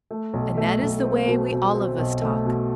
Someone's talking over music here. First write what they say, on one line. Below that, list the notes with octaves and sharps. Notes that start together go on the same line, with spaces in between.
And that is the way we all of us talk.
A3
B1
A3
B1
C4
B2
B2
C4
B1
A3
B2